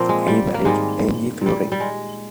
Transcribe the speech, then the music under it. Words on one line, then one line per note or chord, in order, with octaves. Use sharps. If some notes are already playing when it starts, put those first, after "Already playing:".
He married Angie Furey.
Already playing: A#2 F3 A#3 C4
G#3
G3
A#3
G#2 D#3 G3 G#3
A#2 G3
G3
G#3